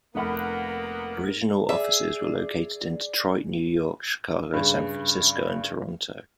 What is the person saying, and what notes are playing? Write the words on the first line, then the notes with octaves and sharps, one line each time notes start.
Original offices were located in Detroit, New York, Chicago, San Francisco, and Toronto.
F1 A#3 B3 A#4 F#5 B5
G#4 D5 E5
G2 C#3